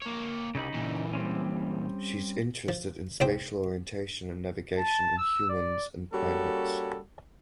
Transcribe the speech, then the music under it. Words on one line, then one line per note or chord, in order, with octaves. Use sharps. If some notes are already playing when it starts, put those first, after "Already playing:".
She is interested in spatial orientation and navigation in humans and primates.
A#3 C#5
C2 C#3 D#4 B5
A#2 E3
G3 C4 C#4
F3
C2 G#2 C4 C5 G5
A5
E6
D5
G3 A#3 C#4 F#4 A4